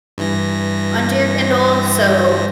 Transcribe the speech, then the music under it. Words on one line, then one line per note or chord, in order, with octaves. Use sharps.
under your Kindle, so,
G2 E3 A#6